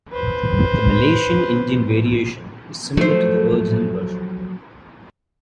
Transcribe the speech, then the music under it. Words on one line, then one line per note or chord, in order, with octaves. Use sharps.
The Malaysian Indian variation is similar to the original version.
B4 C5
F3 F#3 A3 C5